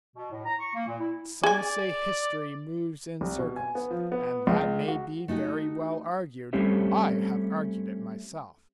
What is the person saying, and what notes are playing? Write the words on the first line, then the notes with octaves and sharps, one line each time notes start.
But some say, history moves in circles; and that may be very well argued; I have argued it myself.
B2
A2
A#5
C#6
A#3
A#2
E4
G#4 D5 G#5
C2
B2
G#5
B3
F3
B3
C#2
F#4
A3 D#4 F#4 G4 G5
G3 A3 C4 C#4 G4 E5